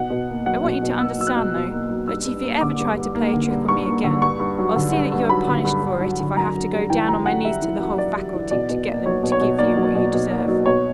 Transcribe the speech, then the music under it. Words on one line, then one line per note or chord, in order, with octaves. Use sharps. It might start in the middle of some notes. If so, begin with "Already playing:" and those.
I want you to understand, though, that if you ever try to play a trick on me again, I'll see that you are punished for it if I have to go down on my knees to the whole faculty to get them to give you what you deserve.
Already playing: B2 F#5
B2
A#3
F#3 F#5
B2
B2
A#3 E6
F#3 E6
F#6
B2
B2
A#3
F#3
G2 E6
G2
A#3
D3 D6
G2
G2
A#3
D3
G2
G2 C#6
A#3
D3
G2 C#6
G2
F#3
D3
G2
G2
F#3 B5
D3
G2
G2
F#3
D3
F#2 A#5
F#2
G3
E3 G5
F#2 A#5
F#2 F#5
G3 E5
E3
F#2
F#2 D5
G3
E3
B2 D5
B2
A#3
F#3 C#5
B2
C#5
B2
A#3 D5
F#3
B2
B2
A#3
F#3
B2 C#5